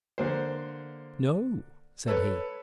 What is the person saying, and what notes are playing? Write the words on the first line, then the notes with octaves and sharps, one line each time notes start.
"No," said he.
D3 A#3 C5
A4 B4 C#5